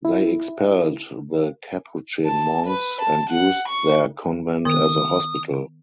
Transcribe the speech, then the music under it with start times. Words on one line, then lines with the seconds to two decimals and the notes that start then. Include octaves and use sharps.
They expelled the Capuchin monks and used their convent as a hospital.
0.05 E4
2.25 A5
2.67 B4
3.01 A5
3.29 F#5
3.68 C#6
4.65 D#3 B3 A#4 D#6